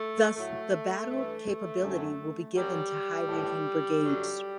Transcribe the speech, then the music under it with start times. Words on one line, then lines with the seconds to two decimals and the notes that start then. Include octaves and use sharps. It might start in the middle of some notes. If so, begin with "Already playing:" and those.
Thus the battle capability will be given to high-ranking brigades.
Already playing: A3
0.35 A2 F#3 A3
1.08 G2 E3 A3
1.81 F#2 D3 F#3
2.54 F#2 F#3 G3
3.27 A2 E3
4.01 F#2 D3 F#3